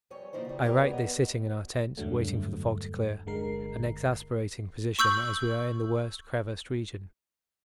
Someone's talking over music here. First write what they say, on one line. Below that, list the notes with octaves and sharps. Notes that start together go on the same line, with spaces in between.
'I write this sitting in our tent waiting for the fog to clear--an exasperating position as we are in the worst crevassed region.
F2 G3 C#5 G#5
A#2 F3 D#4 E4 C5
C#3 G3
B3 G4 A#4 B4 C#5 D5
B3 D#5
E2 G2 D3 F#3 A3
G1 D3 G#3 A#4 C7
C#6 E6 G6 F#7